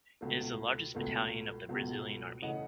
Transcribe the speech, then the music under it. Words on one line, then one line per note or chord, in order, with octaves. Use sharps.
It is the largest Battalion of the Brazilian Army.
C#2 B2 A3
C#2 B2 A3
C#2 B2 A3
C#3 E3 A3 D#5 F#5